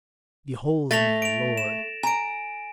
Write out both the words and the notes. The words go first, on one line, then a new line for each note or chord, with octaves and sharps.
Behold me a lord!
A3 A6 A#6 F7
D7 F7
E7
G#5 A#5 D7